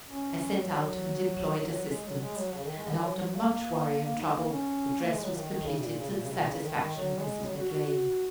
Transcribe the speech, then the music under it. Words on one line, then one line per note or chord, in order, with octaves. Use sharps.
I sent out and employed assistants, and, after much worry and trouble, the dress was completed to the satisfaction of Mrs. McClean.
C#4
F#3
F#3
D#3
F#3
G#3
F#3
G#3
F#3
C#3
D#3
G#3
D#3
F#3
F#3
A#3
A#3
D#4
A#3
C#4
A#3
G#3
F#3
D#3
D#3
C#3
A#2
C#3
A#2
C#3
A#2
C#3
D#3
D#3
F#3
G#3
F#3
F#4
F#4
F#4